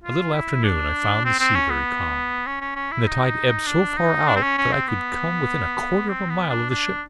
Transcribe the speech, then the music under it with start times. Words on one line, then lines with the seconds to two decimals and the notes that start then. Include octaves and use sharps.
A little after noon I found the sea very calm, and the tide ebbed so far out that I could come within a quarter of a mile of the ship.
0.03 F4
0.34 E4
0.64 D4
1.25 C4
1.39 C4
1.55 C#4
1.70 B3
2.46 C#4
2.61 C#4
2.76 C#4
2.92 E4
3.06 D#4
3.67 D4
3.97 D#4
4.28 D4
4.36 C4
4.43 C#4
4.58 C#4
4.73 C4
4.88 B3
6.09 C4
6.29 B3
6.49 D4
6.70 D4